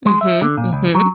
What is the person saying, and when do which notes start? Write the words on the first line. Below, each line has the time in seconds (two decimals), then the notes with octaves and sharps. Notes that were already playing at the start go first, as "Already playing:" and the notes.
Mhm, mhm.
0.06 G#3
0.21 E5
0.42 D3
0.57 A#2
0.73 C#2
0.95 F#3